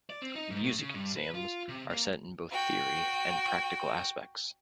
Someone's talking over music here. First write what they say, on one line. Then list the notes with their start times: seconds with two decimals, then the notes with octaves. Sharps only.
Music exams are set in both theory and practical aspects.
0.10 D5
0.22 C4
0.36 D#4
0.51 G#2
0.64 A2
0.79 C#3
0.94 G2
1.16 B4
1.34 F4
1.69 C3
1.90 A#3
2.51 F#4 G5